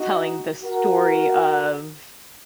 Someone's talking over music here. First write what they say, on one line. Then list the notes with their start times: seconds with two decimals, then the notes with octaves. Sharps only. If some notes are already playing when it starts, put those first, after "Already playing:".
telling the story of
Already playing: D#4 F#4
0.63 F#4 A#4